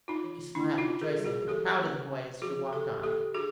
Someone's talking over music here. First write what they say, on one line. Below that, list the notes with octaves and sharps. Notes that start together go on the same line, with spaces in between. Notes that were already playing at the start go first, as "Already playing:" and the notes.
She smiled rejoicingly, proud of the boy, as she walked on.
D#4 F4
E3
A#3 D4 E4
D#4 F4
C#4
G#4 A#4
G3
F#4 G#4
E3 G4 A4
A#3
C#4
F3 F#4 G#4
D3 G4 A4
A#3 G4 A4
D4 F#4 G#4